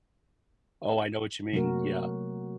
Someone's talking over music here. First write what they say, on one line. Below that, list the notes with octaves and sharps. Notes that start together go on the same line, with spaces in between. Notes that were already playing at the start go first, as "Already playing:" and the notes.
Oh, I know what you mean. Yeah,
C3 F#3 A3 A#3 F#4 A#4